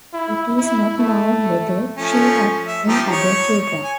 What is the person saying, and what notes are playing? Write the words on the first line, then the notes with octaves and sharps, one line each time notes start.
It is not known whether she had any other children.
E4
E4
A3
F3 A3 C#4
E5
F3 D#4 G4
C#5
G#5